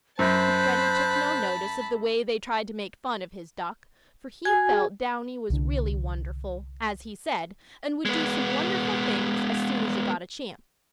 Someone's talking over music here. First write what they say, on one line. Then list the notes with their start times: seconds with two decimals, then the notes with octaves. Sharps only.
But Freddie took no notice of the way they tried to make fun of his duck, for he felt Downy was really wonderful, as he said, and would do some wonderful things as soon as it got a chance.
0.19 F#2 C5 A5 B5 F#6 G6
4.45 F#4 G#5 G#6
4.71 G#4
5.50 C2 D3 D4
8.06 G#3 B3